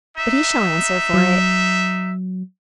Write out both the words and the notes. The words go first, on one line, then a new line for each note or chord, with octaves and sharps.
'But he shall answer for it.
D#4 E5
F#3